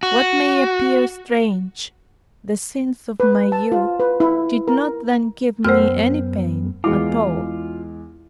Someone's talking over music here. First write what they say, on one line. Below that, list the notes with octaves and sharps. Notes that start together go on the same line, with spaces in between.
What may appear strange, the sins of my youth did not then give me any pain at all.
F#4
B4
A5
F4
B4
E4
A#4
F#2 B3 F#4 A#4 C5 F#5 G5 F6
E2 G#3 E4 F4 G#4 D6